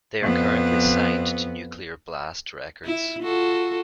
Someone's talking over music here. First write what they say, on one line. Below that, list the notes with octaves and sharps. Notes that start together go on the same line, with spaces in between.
They are currently signed to Nuclear Blast records.
F2 B3
E4
F4 F#4 A4